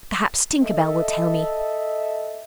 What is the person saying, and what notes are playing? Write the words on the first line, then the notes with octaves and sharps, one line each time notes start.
'Perhaps Tinker Bell will tell me.'
A4 D#5 E5